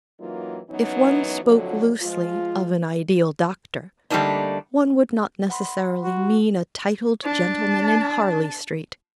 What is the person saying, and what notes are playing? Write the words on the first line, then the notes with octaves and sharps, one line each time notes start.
If one spoke loosely of an ideal doctor, one would not necessarily mean a titled gentleman in Harley Street.
F#2 E3 F#3 A#3 D#4 F4
F#2 E3 F#3 B3 C#4 D#4
F2 A2 D3 F3 F#3
F3 G#3 F4
D3 G3 A3 A#3 D4 D#4
F#5 B5 C6
F#4
D4 A5